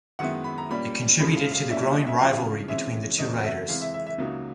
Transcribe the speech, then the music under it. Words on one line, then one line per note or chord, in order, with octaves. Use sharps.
It contributed to the growing rivalry between the two writers.
F#2 D#3 G#3 B3 E4 F#5
B5
A#5
A#2 G3 A#3 C#4 B5
F#2 C#3 F3 G#3 C#4 B5
F5
F5
A#2 G3 A#3 C#4 E4 E5
E5
D#5
E5
F2 C#3 F3 F5
C3 E3 G#3 C#4 E5
E2 C#3 F#3 A3 C4 D#5
E5
C3 E3 G#3 F5
E5
E5
E5
C#2 C#3 F#3 A#3 D#4